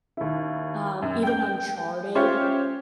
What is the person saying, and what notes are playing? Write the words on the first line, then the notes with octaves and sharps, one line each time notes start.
um, even Uncharted.
D#2 E4
F#2
G5 G6
C#4 F4 G4 C5 C#5 E5